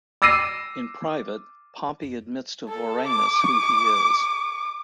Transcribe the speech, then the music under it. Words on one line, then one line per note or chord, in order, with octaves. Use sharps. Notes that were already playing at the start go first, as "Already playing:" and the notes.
In private, Pompey admits to Vorenus who he is.
D6 E6 A#6 C7 D#7
A4
D6